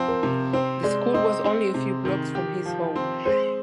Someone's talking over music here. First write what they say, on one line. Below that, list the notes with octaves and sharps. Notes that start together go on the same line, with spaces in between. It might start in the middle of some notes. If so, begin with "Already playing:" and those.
The school was only a few blocks from his home.
Already playing: F3 C4
A#4
C3
C4 C5
G#3 D5
C4 D#5
C4
C3
D#3
G4
F3
C4
G#3 C5